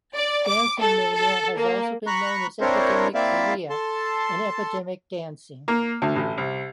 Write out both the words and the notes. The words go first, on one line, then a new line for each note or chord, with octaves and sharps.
Dancing mania has also been known as epidemic chorea and epidemic dancing.
D5
D6
A4
A4
A#3
A#5 B5 C#6 F#6
C4 D4 E4 A#4 C5 C#5
A#3 C4 E4 D5 E5 F5
A4 A5 C6
A#3
D2
A1
C2